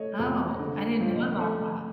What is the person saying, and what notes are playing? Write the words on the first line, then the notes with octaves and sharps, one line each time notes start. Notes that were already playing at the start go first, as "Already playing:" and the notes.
Oh, I didn't know about that.
Already playing: A3 C#5 D#5
F2
D3
F3
A3